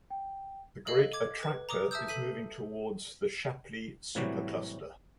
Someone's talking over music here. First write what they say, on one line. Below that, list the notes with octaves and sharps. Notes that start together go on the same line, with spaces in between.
The Great Attractor is moving towards the Shapley Supercluster.
G5
A4 D#5 F5
D6 G#6
B4
A#5 D6 D#6
E5 A5 D#6 E6 G6
A4 B6 D#7
A2 C3 E3 F#3 G3 F#4